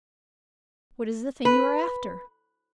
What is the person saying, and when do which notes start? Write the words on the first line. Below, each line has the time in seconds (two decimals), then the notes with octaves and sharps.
What is the thing you are after?
1.45 B4